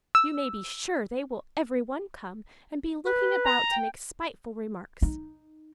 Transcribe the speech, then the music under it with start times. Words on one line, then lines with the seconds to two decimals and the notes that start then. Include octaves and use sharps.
You may be sure they will every one come, and be looking about to make spiteful remarks.
0.15 E6
3.06 B4
3.44 A#5
3.72 G5
5.02 D#4